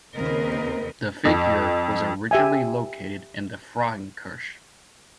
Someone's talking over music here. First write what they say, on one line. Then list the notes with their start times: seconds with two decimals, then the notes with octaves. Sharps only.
The figure was originally located in the Frauenkirche.
0.15 D#2 C#3 C4 A#4 B4 D#5
1.25 F2
2.31 G4 E5 G#5